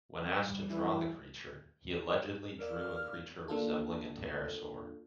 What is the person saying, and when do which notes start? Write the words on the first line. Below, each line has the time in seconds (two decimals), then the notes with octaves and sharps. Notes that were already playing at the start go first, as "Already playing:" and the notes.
When asked to draw the creature, he allegedly drew a creature resembling a pterosaur.
0.21 G3
0.70 E3
2.59 A#4 D5 F5 F6
3.48 A#3 D4 F4 A4